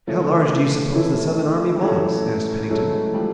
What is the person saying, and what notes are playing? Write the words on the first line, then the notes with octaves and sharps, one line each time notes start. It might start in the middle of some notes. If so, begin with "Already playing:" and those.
"How large do you suppose the Southern army was?" asked Pennington.
F3 A3 C#4 E4
E3
E3 A3 C#4 E4
G3
E3 F#3 A3 C#4 E4
F#3 G#3 A3 C#4 E4
F3 G3